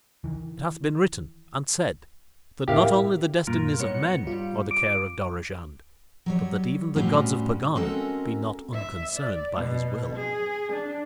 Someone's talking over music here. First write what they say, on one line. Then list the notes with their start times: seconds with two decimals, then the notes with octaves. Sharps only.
It hath been written and said that not only the destinies of men are the care of Dorozhand but that even the gods of Pegana be not unconcerned by his will.
0.24 D#3 E3
2.68 A2 A#3 C4 E4 G4 A#4 E5 F5
3.47 F#2 A#2 F4 A#4
3.80 G2 B3 D#4 C#5 C#7
4.27 G3 F4
4.71 D6
6.26 F#3 G3 C#5
6.96 A2 G3 C4 C#4 F#4
7.75 G#3 C4 C#4 F#4 A4 A#4
8.73 E5
9.15 D5
9.56 B2
10.15 G#4
10.73 D4